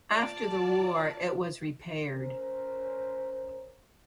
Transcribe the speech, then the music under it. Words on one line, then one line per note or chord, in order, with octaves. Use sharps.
After the war it was repaired.
F4 D5 A5
C#4 A#4 C5